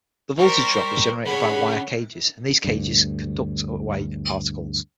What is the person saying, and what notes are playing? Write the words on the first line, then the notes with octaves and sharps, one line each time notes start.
The voltage drop is generated by wire cages, and these cages conduct away particles.
G3 A#4 C5 C#6
C#3 D4 G#4 C#5 F#5 B5
D2 G2